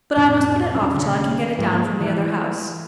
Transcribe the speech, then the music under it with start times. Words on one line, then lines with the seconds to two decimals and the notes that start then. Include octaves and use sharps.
"But I must put it off till I can get it down from the other house."
0.16 F2 A2 C3 D4
0.72 D#1 B1 C#4 D4
0.93 D#1 D#2 C#3
1.59 G#2 F3 A#3
2.01 E3 A3